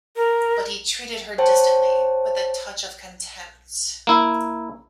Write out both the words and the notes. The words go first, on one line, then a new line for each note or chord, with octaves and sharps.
But he treated her distantly, with a touch of contempt.
A#4
C5 C#5 G5 A5
A#3 E4